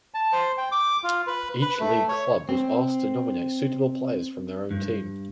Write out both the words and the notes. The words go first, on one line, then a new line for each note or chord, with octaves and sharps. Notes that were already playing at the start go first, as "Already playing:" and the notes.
Each league club was asked to nominate suitable players from their own team.
A5
C5
G5
D6
F4
B4
B4
A3
C#5
C4
G2